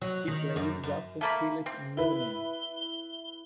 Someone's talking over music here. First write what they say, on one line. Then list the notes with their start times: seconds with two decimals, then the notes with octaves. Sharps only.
He plays Doctor Philip Noonan.
0.02 F#3
0.28 D#3
0.56 F#2
0.84 F#2
1.21 A3 A#3 B5
1.66 C4
1.97 E4 B4 G7